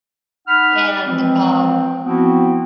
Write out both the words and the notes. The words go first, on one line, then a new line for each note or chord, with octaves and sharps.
And, um
D#4 F#5 B5 F6
E3 F3 G#3 C4
F3 B3 C4 E4 F#4